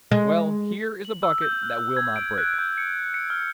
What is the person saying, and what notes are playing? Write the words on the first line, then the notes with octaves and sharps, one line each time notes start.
Well, here is a bucket that will not break.'
G#3
F#7
E6
G6
F#6
G#6
D7
F#6
G6
C#7
C#7
F6